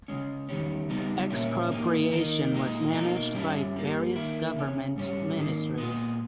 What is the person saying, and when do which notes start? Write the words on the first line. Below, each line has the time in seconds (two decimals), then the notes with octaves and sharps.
Expropriation was managed by various government ministries.
0.08 C#3 G#3 C#4
0.49 E2 D#3 G3 C#4
0.90 C#3 G3 B3 D#4
1.30 A#2 A#3 C#4 E4
1.70 G#2 E3 A#3 D#4
2.11 D#3 A#3 D#4
2.52 A#2 G#3 D#4
2.93 B2 A#3 D#4
3.33 G2 G3 C#4 E4
3.74 G2 G3 A#3
4.15 D#3 A#3 E4
4.56 E2 C#3 C#4
4.96 G#2 G3 C#4
5.37 G#2 D#3 A#3
5.78 A#2 G#3 B3